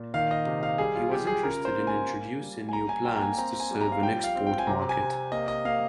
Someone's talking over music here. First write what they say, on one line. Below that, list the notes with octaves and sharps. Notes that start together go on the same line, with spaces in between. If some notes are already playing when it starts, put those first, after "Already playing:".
He was interested in introducing new plants to serve an export market.
Already playing: A#2
D#3 F5
D#5
C3
F5
G3 G#4
F4
F4 G4
G#4
C#3 A#4
C5
A#3
G#5
A#3
G3
G#5
A#3 A#5
G#5
A#3 G5
A#5
G#5
G#5
C4 A#5
G#5
G3
A#5
F5
F3 G5
F5
C4
G5
G#5
C3 A#5
G#5
C3
A#3 D#5
D#5
A#3 F5